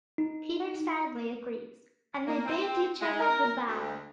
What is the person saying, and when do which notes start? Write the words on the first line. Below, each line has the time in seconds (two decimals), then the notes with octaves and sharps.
Peter sadly agrees, and they bid each other goodbye.
0.18 D#4
2.27 A#3
2.45 C4
3.00 G#3
3.19 A#4
3.67 D2